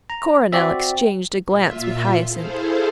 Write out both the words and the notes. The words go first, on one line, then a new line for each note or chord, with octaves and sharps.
Coronel exchanged a glance with Hyacinth.
A#5
C4 F#4 D5 E5
A#2 F4 E5
E4 G#4 A4 C5 F5